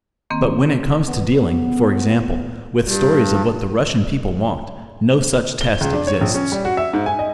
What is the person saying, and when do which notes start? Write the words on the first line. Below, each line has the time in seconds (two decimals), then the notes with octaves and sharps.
But when it comes to dealing, for example, with stories of what the Russian people want, no such test exists.
0.30 D#3 A#3 C4
1.07 B3
2.84 G2
5.61 G7
5.81 C#2
5.93 D4
6.07 C#5
6.21 A#1
6.34 C#4
6.52 G3
6.65 F#4
6.77 E5
6.93 G#2
7.06 G#5
7.19 D#5